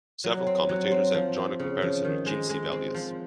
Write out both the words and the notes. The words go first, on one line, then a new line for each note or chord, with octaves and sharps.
Several commentators have drawn a comparison with Jean Sibelius.
F#3
C4
F#3
C4
F3
C4
C#3
F3
D#3
G#3
G#3
C4
F3